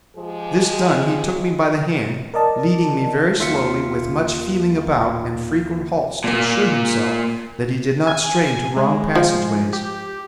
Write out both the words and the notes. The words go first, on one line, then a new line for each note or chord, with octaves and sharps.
This done he took me by the hand, leading me very slowly, with much feeling about and frequent halts to assure himself that he did not stray into wrong passageways.
F3 G#3 G4 G#4
A#4 D5 D#5 A5
D#2 F4 E5 F5 C#7
A#2 A#3
G#5
G#3
F3
G4